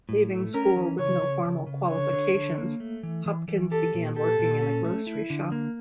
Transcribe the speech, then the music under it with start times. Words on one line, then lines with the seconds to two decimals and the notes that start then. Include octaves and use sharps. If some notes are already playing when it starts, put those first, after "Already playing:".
Leaving school with no formal qualifications, Hopkins began working in a grocery shop.
0.09 A2
0.31 A3
0.54 C#4 A#4
0.76 E3
0.99 C#3 C#5
1.22 C#3
1.45 C#3
1.67 C#3
1.90 D3 C#5
2.13 D3
2.35 D3
2.58 A#3
2.80 A3
3.03 E3
3.26 E3
3.48 E3
3.71 G4 A4
3.94 A#2
4.16 G4 A4
4.39 A#2
4.62 C#4
4.84 A3
5.07 E4
5.30 D3
5.52 A#3